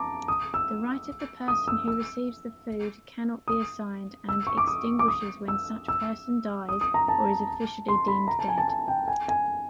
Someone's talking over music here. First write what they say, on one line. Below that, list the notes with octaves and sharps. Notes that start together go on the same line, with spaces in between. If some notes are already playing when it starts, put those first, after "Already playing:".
The right of the person who receives the food cannot be assigned and extinguishes when such person dies or is officially deemed dead.
Already playing: A5 A#5 D6
D#6
E6
D#6
E6
E6
D#6
E6
C#6
D6
D#6
D6
D#6
E6
E6
D#6
D#6
A#5
A5
C6
B5
A#5
A5
G#5
A5
A5
G5
G#5
G#5